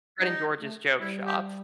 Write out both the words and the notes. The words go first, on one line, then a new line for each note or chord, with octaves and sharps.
Fred and George's joke shop,
G3 D#4
A3
G3 E4
G4